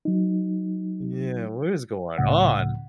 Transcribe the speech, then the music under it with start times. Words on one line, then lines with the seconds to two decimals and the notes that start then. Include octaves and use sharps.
Yeah, what is going on?
0.05 F#3 D#4
2.18 C#2 A2 C#3 F#5